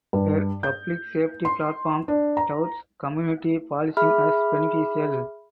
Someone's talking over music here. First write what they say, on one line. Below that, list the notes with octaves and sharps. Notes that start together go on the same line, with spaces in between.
Her public safety platform touts community policing as beneficial.
G2
G6
C6
D4
A#5
G#4 E5 B5 F6